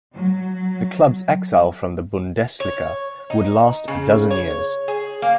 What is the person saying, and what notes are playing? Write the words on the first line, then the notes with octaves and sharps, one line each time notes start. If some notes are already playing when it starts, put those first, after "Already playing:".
The club's exile from the Bundesliga would last a dozen years.
F#3
C#5
D#4
C#3
C#5
G#4
A#3